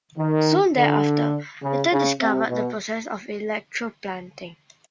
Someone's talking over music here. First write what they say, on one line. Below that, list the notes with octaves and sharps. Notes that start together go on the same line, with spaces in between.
Soon thereafter Ritter discovered the process of electroplating.
D#3
D3
C#3
C#3
C3
B2